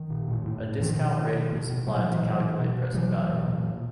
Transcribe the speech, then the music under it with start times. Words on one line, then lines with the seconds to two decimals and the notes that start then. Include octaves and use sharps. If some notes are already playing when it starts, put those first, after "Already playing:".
A "discount rate" is applied to calculate present value.
Already playing: D#3
0.10 A#2
0.28 A2
0.46 A2
0.63 A2
0.81 B2 D#3 F3
0.99 B2
1.16 B2
1.34 B2
1.52 B2
1.70 B2
1.87 A#2 G3
1.96 F#3
2.04 A#2 F3
2.12 E3 F#3
2.23 A#2
2.41 B2
2.59 B2
2.77 B2
2.94 B2 E3 F#3
3.12 B2
3.30 B2
3.47 A#2
3.65 A#2